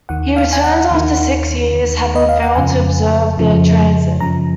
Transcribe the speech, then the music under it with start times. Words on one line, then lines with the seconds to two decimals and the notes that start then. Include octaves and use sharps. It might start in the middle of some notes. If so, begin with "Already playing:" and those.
He returns after six years, having failed to observe the transit.
0.09 D#2 D#3 F#5
0.36 F5
0.53 G#5
0.64 F#5
0.91 D#2 D#3
1.74 D#2 D#3
2.16 D#5
2.29 F5
2.42 F#5
2.55 F2 C#3 F3 G#5
3.38 F2 C#3 F3
4.21 F#2 C#3 F3 A#5